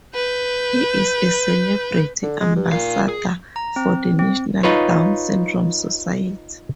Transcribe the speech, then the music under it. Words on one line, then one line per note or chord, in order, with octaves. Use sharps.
He is a celebrity Ambassador for the National Down Syndrome Society.
B4 G6
D3
G#3
G2
A#2 D#4 F5
G#4
A#5
C4
C4
D#4 F4 B4 C#5